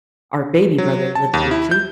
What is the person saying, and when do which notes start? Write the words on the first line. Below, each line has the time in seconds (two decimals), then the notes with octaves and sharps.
our baby brother lives here too.
0.78 F#3
1.15 A5
1.34 D#2
1.51 E4
1.71 G6